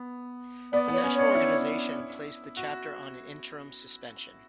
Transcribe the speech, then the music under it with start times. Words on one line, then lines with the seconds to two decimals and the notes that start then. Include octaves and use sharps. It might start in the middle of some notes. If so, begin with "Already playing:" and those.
The national organization placed the chapter on an interim suspension.
Already playing: B3
0.72 B3 D5
0.88 B3 C#5
1.04 C#4
1.14 C#5
1.19 D4
1.34 E4
2.57 F#4